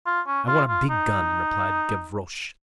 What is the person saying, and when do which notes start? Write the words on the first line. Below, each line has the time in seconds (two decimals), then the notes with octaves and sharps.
"I want a big gun," replied Gavroche.
0.06 F4
0.27 C#4
0.48 F4
0.69 F4
0.90 D#4